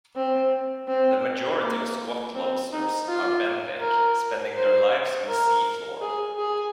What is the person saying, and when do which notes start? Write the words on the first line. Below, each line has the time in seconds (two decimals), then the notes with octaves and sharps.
The majority of squat lobsters are benthic, spending their lives on the sea-floor.
0.16 C4
0.88 C4
1.62 A#3
2.35 C4
2.72 D#4
3.08 F4
3.81 A#4
4.55 C5
5.28 A#4
6.01 G#4
6.38 G#4